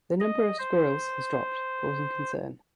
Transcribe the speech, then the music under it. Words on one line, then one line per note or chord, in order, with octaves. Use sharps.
The number of squirrels has dropped causing concern.
D#5
C5